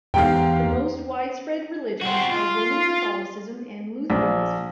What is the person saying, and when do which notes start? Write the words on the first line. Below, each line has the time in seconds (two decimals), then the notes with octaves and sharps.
The most widespread religions are Roman Catholicism and Lutheranism.
0.14 E2 G#2 G4 F5 G5
2.01 C4 F#4
2.31 F4
4.10 A#1